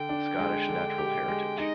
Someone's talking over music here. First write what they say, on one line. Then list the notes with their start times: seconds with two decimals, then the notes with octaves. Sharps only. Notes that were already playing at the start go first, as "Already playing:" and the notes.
Scottish Natural Heritage.
Already playing: D3 G5
0.09 D4
0.39 G#3
0.69 D3
0.98 G4
1.28 G#3
1.58 D#4 D#5